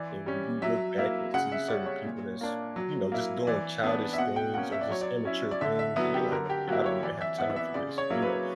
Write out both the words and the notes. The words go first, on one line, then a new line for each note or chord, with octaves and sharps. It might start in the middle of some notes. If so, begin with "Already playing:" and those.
and when you look back and see certain people that's, you know, just doing childish things or just immature things and you're, like, "Oh I don't even have time for this, you know?
Already playing: E3 D5
G3 C#4
F#3 E5
A#3 E4
C#3 F#5
E5
G3 C#4 D5
C#5
A#2
A#3 D4
F#3
A#3 E4
E3 D5
B3 D4
E5
B2 F#5
G5
A#3 C#4 F#5
E5
D5
F#3 C#5
D5
C#4 E4
D5
D3 E5
E5
F#3 B3 E4
G4
D3 A#4
G4
F#3 A#3 E4 F#4
C#5
E3 D5
E5
B3 E4 F#5
E5
C#3 D5
C#5
F#3 A#3 E4
B4